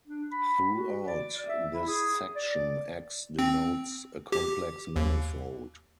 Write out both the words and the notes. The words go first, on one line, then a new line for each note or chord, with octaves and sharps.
Throughout this section, "X" denotes a complex manifold.
D4
B5
F#4
D5
E5
E4
G#4
D5
C4
G4
D#2